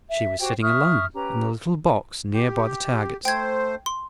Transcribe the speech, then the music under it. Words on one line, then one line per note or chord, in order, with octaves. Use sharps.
She was sitting alone in a little box near by the targets.
E5
F#4 G4 C5 G5
E5 C#6 D#6 F6
C#4 G4 B4 A#5
G4
A3 C5 G5 G#6
C6